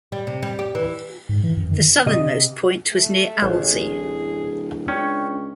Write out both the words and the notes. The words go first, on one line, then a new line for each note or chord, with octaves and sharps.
The southernmost point was near Alzey.
G3
C3
G3
G4
E3
G#2
E3
F#2
D#3
C3 D#5
A3
A1 G#4
D1
C#2 C#4 D4 G5 C#6